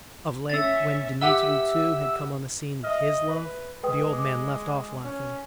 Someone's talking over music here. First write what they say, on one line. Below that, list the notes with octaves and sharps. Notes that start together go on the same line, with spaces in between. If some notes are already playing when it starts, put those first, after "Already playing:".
Of late, when Dmitri too had come on the scene with his love, the old man left off laughing.
C#4 E5 E6 A6
G4 E5 F#5 B5
D#5 E5 F6
B4
G#3 B4 G5 D#6
D6
C#4